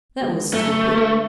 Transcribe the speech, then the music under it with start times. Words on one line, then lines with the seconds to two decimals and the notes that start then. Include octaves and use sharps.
'That was stupid.
0.20 D3 G#3 B3 F#4
0.53 F#2 A3
0.86 D3 G#3 B3 F#4